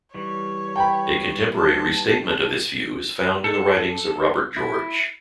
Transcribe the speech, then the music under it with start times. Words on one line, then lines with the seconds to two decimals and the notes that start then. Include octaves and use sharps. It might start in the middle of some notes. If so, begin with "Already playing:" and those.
A contemporary restatement of this view is found in the writings of Robert George.
0.15 E3 G3 C#5
0.76 G5 B5
1.55 A5
3.44 A4
4.57 E4